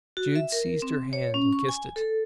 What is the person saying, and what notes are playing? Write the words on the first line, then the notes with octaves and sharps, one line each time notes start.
Jude seized her hand and kissed it.
F#4
E5
A#4
C4
C#5
C#4
C#6
G#5
A4